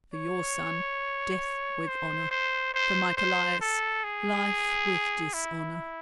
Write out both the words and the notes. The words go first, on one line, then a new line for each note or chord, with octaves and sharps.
For your son, death with honour. For my Callias, life with dishonour.
C#5
C5
C5
C5
C5
A4
G#4
E4